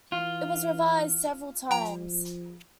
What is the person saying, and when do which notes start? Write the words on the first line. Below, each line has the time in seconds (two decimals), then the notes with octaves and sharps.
It was revised several times.
0.12 E3 F4
1.71 F3 G5 A#5